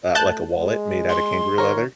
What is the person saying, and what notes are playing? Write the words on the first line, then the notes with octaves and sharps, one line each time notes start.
uh like, a wallet made out of kangaroo leather.
A3 A5 F#6 G6
G#3
C6
D#3 A#4 C#5